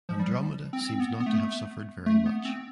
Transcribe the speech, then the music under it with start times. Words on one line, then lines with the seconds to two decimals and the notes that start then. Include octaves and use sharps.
Andromeda seems not to have suffered very much.
0.09 F3
0.20 G3
0.73 C4
0.89 C4
1.00 B3
1.20 B3
1.26 A3
2.06 A3
2.26 B3
2.45 C4